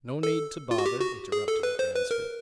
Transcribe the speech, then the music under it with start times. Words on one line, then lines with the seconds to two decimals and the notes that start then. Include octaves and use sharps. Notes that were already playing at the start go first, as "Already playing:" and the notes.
"No need to bother," interrupted Ransford.
0.23 A4
0.71 F4
0.78 F#4
0.86 G4
1.01 F#4
1.32 G#4
1.48 A4
1.63 B4
1.79 C5
1.95 B4
2.11 A#4